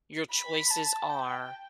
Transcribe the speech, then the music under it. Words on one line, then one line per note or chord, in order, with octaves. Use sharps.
your choices are
B5
A5
G5